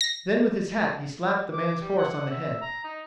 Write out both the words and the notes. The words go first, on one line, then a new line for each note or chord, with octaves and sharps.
Then with his hat he slapped the man's horse on the head.
A#6
D6
G3
F#5
E5
A#5
D#4